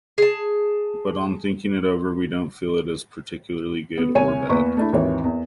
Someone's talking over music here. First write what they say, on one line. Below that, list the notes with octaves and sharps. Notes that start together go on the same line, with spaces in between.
But on thinking it over, we don't feel it is particularly good or bad.
G#4 A5
B3
C2 C#5 G#5 D#7
E2 A#3 B4 C#6
A3 D4 E4
G#1 D#2 E3 C#5
E2